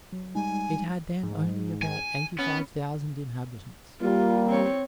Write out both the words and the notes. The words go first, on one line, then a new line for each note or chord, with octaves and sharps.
It had then only about eighty-five thousand inhabitants.
F#3
G3 G#3 D#4 G#5
G#2
G#5
B3 C#4 B5
G3 A#3 F4
C4 C#5